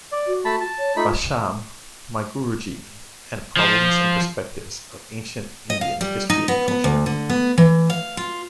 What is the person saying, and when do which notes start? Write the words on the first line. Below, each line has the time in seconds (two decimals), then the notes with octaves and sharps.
Basham, My Guruji and Problems and Perspectives of Ancient Indian History and Culture.
0.12 D5
0.27 F#4
0.45 A3 A5 B5
0.60 A5
0.78 C#5
0.96 A3 D#4 F4 B5
3.57 F3
5.70 D#5
5.81 F5
6.01 G3
6.30 D#4
6.48 B3
6.68 B3
6.84 D2
7.06 D3
7.30 B3
7.58 E3
7.90 F5
8.17 F4